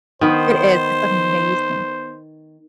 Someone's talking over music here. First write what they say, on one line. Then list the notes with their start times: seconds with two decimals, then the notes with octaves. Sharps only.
It is, it's amazing.
0.21 D#3 B3 C5